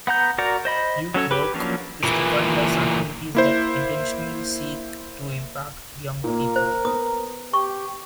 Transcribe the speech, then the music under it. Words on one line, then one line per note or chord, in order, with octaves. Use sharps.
"Youth work" is defined as activities that intentionally seek to impact young people.
B3 F#5 A#5 G6
F#4 A#4 D5 F#5 A#5
C5 D#5 B5
F#3 C#4 A4 C#5
G4 B4
F3 F#3 A#3 C#4 D4
A#2 E3
A#3 E4 C5
A#2 A#3 A#4
C5
B3 D#6
G4 C#6